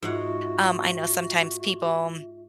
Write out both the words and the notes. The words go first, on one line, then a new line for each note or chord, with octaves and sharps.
um, I know sometimes people,
G#2 F4 F#4 C#5 E5 F#5